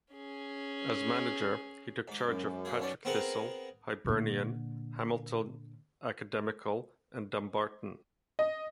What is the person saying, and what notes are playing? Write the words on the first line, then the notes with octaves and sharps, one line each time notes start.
As manager, he took charge of Partick Thistle, Hibernian, Hamilton Academical and Dumbarton.
C#4 G#4
G#2 D6
F#2
A#3 G#4
B1 C#4 D5
B3 C4 G#4 A#4 F#5
A#2 D3
D#5